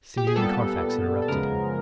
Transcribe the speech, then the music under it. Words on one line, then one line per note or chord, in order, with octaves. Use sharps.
Simeon Carfax interrupted him.
G4
G#4
A#2 G3 B3 A4
A4
F#2 C#3 F3 G#3 B3 A#4